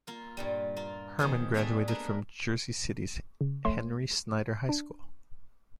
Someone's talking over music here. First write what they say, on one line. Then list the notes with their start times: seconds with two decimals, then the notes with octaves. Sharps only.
Herman graduated from Jersey City's Henry Snyder High School.
0.07 A#3 F4
0.37 G2 A#2 G3
0.77 A#3 F4
1.19 B2 D#3 F3 G#4
1.54 G3 A3 D4 G#4 E5 F5
1.88 G#3 A#3 D4 A#4 B4
3.41 C#3
3.65 A#1 A3 C#5 C6
4.69 D4